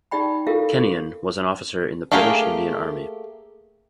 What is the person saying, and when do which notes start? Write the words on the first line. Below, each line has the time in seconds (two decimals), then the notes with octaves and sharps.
Kennion was an officer in the British Indian Army.
0.11 D#4 G4 D5 G5 B5
0.47 E4 F4 G4 A4 A#4 F5
2.12 A3 A#3 G4 G#4 A#4